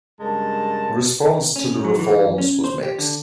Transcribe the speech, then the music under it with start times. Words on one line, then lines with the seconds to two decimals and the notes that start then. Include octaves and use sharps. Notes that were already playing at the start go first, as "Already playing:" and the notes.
Response to the reforms was mixed.
0.20 G2 C#3 G#3 A#4 A5
1.56 C#4
1.84 F#3
1.99 E3
2.38 C#4
2.64 C5
2.83 G4
2.99 D3